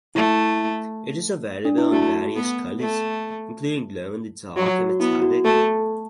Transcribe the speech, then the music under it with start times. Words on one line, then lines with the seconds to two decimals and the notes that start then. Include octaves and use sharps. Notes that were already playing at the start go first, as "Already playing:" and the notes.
It is available in various colors, including glow-in-the-dark and metallic.
0.15 A3 E4
1.65 D4
1.78 E4
1.91 A3 F#4
2.36 B3
2.80 A3 A4
4.56 F#3 F#4
4.79 F#4
4.90 F#4
5.00 B3 E4
5.22 F#4
5.45 A3 A4